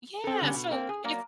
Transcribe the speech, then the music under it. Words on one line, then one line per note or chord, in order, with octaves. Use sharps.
Yeah. So if
C4 A4
D3 G3 C#4
B2
A#3 C4
G#4
F#3 A#3 D5